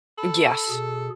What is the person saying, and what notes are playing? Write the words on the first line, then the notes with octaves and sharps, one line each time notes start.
Uh, yes.
A4 B5
B2 G#4